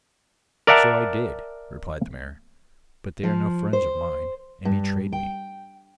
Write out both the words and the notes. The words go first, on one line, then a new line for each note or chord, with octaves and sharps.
'So I did,' replied the mare, 'but they are no friends of mine and betrayed me.'
A#4 D5 E5 F#5 A5 A#5
F3
C5
G2
G5